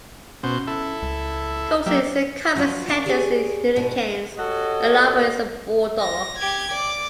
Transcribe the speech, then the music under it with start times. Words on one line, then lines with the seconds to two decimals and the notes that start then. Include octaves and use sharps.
Coulston is the Comets, Hendricks is the Hurricanes and Loper is the Bulldogs.
0.43 B2 C#4 C5
0.67 E4 A4
1.02 C#2
1.86 F#3 A#3 G4 E5
2.55 F3 F#3 F4 B4 C5
2.88 C#4 A#4 F5
3.06 G4 G#4 C#5 D5 E5 G#5
3.76 G#2 B2 D4 G#4
4.38 F#4 G4 A4 C#5 D#5
6.01 A#6
6.38 G4 G#6
6.72 D5